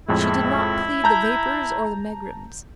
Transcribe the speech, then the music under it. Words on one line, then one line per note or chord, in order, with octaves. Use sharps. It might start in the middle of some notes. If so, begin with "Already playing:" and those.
She did not plead the vapours or the megrims.
F2 A2 G#3 E4
A5 A#5 G6